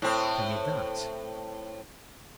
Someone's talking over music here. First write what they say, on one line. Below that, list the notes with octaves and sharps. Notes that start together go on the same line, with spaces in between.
Tell me that.
A2 C4